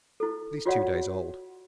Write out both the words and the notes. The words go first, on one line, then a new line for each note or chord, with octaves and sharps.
It was at least two days old.
E4 A4
F4 F#4 C#5 D5 F5 F#5